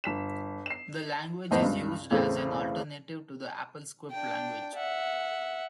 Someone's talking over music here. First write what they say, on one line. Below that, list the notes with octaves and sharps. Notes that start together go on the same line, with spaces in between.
The language is used as an alternative to the AppleScript language.
G1 B6 E7
C7 E7
F#1 F2 A2 B3 C5 D#5
C#2 G2
E2 A2 C#3 A3 C4
D4 G5
E5 F#5